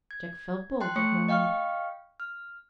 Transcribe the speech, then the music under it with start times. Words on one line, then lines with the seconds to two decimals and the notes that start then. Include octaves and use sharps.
Jack felt bold that morning.
0.11 G#6
0.81 G5 A5 C6 F#6
0.96 A3 C#5 C#6 C#7
1.28 D#5 F5 G5 C#6 F6
2.20 F6